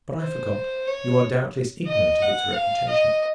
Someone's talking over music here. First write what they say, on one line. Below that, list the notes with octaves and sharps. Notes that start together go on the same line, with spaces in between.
But I forgot; you are doubtless ignorant of its reputation.
C5
C#5
D#5
F#5
F5
D#5